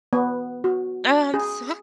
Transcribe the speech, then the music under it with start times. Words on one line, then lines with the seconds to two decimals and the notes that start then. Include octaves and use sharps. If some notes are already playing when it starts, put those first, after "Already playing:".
Oh, I'm so
0.13 B3
0.64 F#4
1.34 G#4